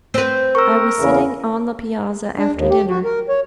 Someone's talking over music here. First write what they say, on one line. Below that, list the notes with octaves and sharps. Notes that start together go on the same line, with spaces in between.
I was sitting on the piazza after dinner.
C4 B4
A#4 C#6 E6
E2 C#3
D4
D#2
G4
F#4
A#4
C#5